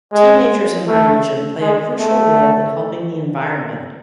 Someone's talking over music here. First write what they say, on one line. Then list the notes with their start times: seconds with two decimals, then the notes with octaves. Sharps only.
Teenagers in my region play a crucial role in helping the environment.
0.13 G#3
0.87 A3
1.61 G#3
1.98 A3